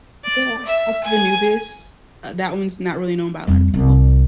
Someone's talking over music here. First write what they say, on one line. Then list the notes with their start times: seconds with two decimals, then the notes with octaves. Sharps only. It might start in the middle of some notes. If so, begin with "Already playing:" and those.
Yeah, House of Anubis, uh, that one's not really known by a lotta people,
0.24 D5
0.65 E5
1.04 G#5
3.47 F2 G3
3.74 C2